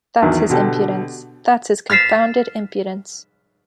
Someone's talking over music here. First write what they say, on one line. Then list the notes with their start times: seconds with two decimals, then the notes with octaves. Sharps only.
That’s his impudence — that’s his confounded impudence.
0.22 A#1 E2 D#3 F#3
0.50 B2 D3 G4 A4
1.90 F6 A6 B6 C7 E7